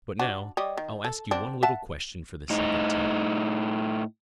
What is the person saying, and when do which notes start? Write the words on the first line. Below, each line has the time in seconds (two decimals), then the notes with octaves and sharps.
But now I'll ask you one little question for the second time.
0.19 D4 F#4
0.57 G3 C#5 D#5
0.77 D#3
1.04 A4
1.31 D3 C4 D4
1.63 E5 F#5 A5
2.50 A2 D#4